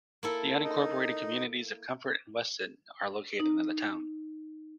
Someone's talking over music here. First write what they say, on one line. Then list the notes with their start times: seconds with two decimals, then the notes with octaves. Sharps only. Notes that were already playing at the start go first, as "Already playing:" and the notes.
The unincorporated communities of Comfort and Weston are located in the town.
0.23 A#3 E4 A4
0.63 D#4
3.40 D#4